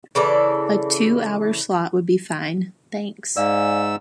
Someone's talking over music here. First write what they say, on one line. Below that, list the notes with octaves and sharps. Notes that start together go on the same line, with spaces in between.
A two hour slot would be fine, thanks.
C#3 E3 A4 D5
G#2 D5 F5 G#5 E6